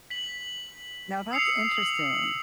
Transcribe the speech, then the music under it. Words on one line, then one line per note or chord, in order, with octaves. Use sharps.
Now that's interesting.
B6 F#7
D#6 E6 C7 C#7 F7
F#7